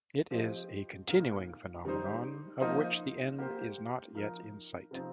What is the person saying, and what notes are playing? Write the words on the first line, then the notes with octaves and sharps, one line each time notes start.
It is a continuing phenomenon of which the end is not yet in sight.
F3 C4 G4 C5 D#5
A#2 A#3 D#4
D#3 G3 C4 D#4 C5
F3 A#3 D#4 C5 D#5
A#3 G4 C5
F3 D#4 A#4
C3 F3 C4 D#4